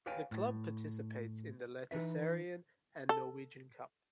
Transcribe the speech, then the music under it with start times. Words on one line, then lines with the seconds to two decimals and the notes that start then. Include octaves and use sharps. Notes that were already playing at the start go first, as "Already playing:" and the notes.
The club participates in the Eliteserien and the Norwegian Cup.
0.06 G4 B4 C#5 F5 G5 G#5
0.31 A2
1.91 E3 D#4 B4 E5
3.09 A4